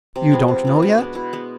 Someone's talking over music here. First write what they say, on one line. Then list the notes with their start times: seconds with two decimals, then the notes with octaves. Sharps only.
"You don't know yet?"
0.16 C3
0.32 F3 G#3 B3
0.48 C3
0.65 F3 G#3 B3
0.76 C4
0.82 B2 D4
0.99 G#3 B3
1.15 B2 E4
1.33 G#3 B3